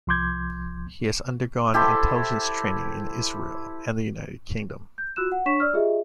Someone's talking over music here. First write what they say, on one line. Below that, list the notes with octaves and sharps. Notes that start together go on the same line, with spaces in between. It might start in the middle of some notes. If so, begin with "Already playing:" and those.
He has undergone intelligence training in Israel and the United Kingdom.
C2 F3 C6 D6 G6 G#6
E4 G4 A4 C5
G6
F4 F#4 E6 F#6 E7
F#5
D4 C#5 C#6 B6 E7
D5 E6 F6
F4 G4 G#4 D#5 E5